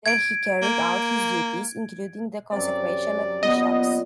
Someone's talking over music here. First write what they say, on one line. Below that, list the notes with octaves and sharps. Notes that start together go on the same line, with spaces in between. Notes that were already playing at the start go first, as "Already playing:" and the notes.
There he carried out his duties, including the consecration of bishops.
G#6 D7
A#3
F#2 C3 D5
A#2 B3 D#5